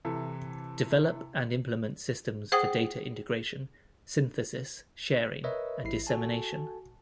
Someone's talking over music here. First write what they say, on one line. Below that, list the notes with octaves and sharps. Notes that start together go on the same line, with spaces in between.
Develop and implement systems for data integration, synthesis, sharing, and dissemination.
C3 E3 E4 A4
G#4 C5 F#5 G5 D#6
A#4 B4 C#5 D#5 E5
A1 E4 C7
F#4 A4 G#5 A5